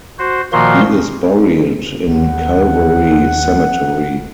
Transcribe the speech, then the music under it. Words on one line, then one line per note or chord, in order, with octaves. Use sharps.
He is buried in Calvary Cemetery.
F#4 C5
A#2 D#3 F3 A#3 F#4 C6
D#2 F#5